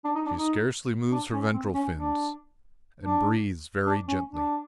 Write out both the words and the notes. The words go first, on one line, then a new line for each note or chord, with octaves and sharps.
She scarcely moves her ventral fins, and breathes very gently.
D4
D#4
D4
D#4
D4
C#4
C4
C#4
D4
D4
D4
C#4
D4